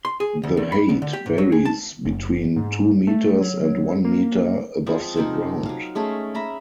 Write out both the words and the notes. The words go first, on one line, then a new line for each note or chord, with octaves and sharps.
The height varies between two meters and one meter above the ground.
C6
G#4
D2
E2
B5
D2
D3
G4
G#2
F#3
G#4
A5
F#1
G#2
A3
F#3
A#3
F3 G#3 C4 G#4
C3 F3 D#4 A#4
F#3 F5
G#3 A3 C#4 G#4
E5 A#5 B5